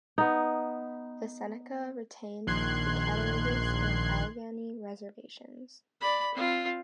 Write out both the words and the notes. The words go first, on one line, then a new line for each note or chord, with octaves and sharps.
The Seneca retained the Cattaraugus and Allegany reservations.
B3 D#4
A#1 D#3 C6 F#6 G#6 C7
D5 B5
C4 F4